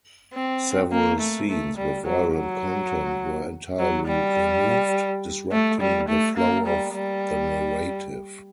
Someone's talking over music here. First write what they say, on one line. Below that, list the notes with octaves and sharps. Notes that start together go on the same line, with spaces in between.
Several scenes with violent content were entirely removed, disrupting the flow of the narrative.
C4
A#3
A3
A3
G3
F#3
F#3
F#3
G3
A3
G3
A3
A#3
G3
G3